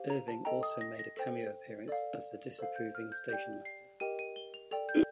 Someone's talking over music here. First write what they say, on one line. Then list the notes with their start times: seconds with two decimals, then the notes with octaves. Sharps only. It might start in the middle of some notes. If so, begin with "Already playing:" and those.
Irving also made a cameo appearance as the disapproving stationmaster.
Already playing: G4 C5 F5
0.10 A#5
0.28 A5
0.45 A4 D#5 G5 A#5
0.63 D#6
0.81 A#6
0.99 A#6
1.17 A4 C5 G5
1.88 A4 D5 F5
2.59 A4 C5 F5
2.76 G6
2.95 F6
3.12 G6
3.29 G4 D5 G5 G6
3.65 C7
4.00 G4 A#4 D#5 G5 D#7
4.19 D#7
4.36 G7
4.54 F7
4.71 A4 D5 G5 F7
4.89 G6